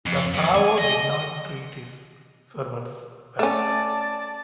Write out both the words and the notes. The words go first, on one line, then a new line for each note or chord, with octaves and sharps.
The pharaoh did not treat his servants well.
F2
F2
G#5
D#5
A3 C#4 D5 A5